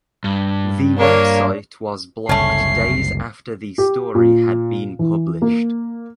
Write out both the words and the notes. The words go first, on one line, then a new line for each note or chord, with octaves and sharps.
The website was blocked days after the story had been published.
G2
A#3 D4 C#5
F#1 C2 A3 C#4 C7
G4
A#2
E3
A#3